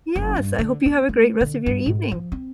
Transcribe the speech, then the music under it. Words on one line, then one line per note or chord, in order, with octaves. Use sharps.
Yes. I hope you have a great rest of your evening.
F#1
G2
D3
B3
A3
D3
G2
G#2
F3
C4